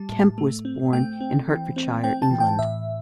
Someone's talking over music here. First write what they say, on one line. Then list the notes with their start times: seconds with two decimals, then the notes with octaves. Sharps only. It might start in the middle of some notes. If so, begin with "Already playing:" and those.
Kemp was born in Hertfordshire, England.
Already playing: G3 A5
0.09 A2
0.38 A3
0.65 C4
0.93 A3 G5
1.21 C4
1.48 E3
1.76 C4
2.04 C4 G5
2.22 A5
2.31 E3
2.40 G5
2.59 A2 E5